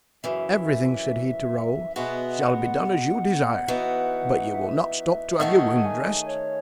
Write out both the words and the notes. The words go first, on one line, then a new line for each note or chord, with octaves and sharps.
"Everything," said he to Raoul, "shall be done as you desire; but you will not stop to have your wound dressed?"
F#2 C#3 E3 E5
B2 G#3 B3 F#4 E5
F#5
E3 B3 D#4 F#4
E5
D#3 A3 C#4 G#4 F#5
G#5
C#5